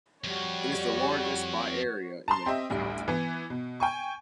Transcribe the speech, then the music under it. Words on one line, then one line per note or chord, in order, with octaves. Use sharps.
It is the largest by area in the county.
F2 G3 F#4 C#5
A5 A#5 C6
C4 G4 D#5 E5
A1 D2 G3
E3 B3
B2
G5 G#5 C#6